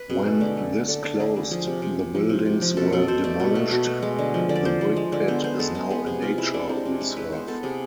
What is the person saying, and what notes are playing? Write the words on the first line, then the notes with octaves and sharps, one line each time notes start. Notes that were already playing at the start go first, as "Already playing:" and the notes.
When this closed the buildings were demolished; the brickpit is now a nature reserve.
Already playing: B4
B2 G#4
A3
D3
A3
A3
D3 A4
D3
D3 G#4
D3
F3 G#4
C3
C3
C3
F3
C3
C3
F3
B2 A4
B2 A4
B2 C5
A3 D5
B2
A3
B2
A3
G#3
D3
F3
D3
D5
F3 C5
F3
G#3
D3
B3 C5
B3 C5
G#3 A4
G#3 G#4
B3 G#4
C3 G#4
C3 F4
G#3 E4
C3 D4
G#3 C4
C3
G#3 E4
G#3 B4
B3 C5
B3 A4
C3 G#4